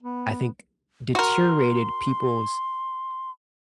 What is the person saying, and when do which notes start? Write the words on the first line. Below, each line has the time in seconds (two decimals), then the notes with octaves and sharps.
I think, deteriorated people's
0.03 B3
1.15 F#4 A#4 C6